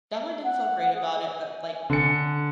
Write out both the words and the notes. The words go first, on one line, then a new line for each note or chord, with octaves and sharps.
definitely didn't feel great about it, but, like,
F#5
G#4
G#5
D3 C#7